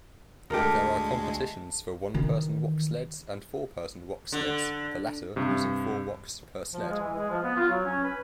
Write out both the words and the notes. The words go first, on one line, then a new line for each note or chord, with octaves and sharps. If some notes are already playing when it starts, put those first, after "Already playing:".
There are competitions for one-person-woksleds and four-person-woksleds, the latter using four woks per sled.
D2 G#3 G4 A4 A#4
D#3 E3
D3
G2 C3
F3
G#3
E3
G#3
F3
B3
F4
F#3
C#4
B4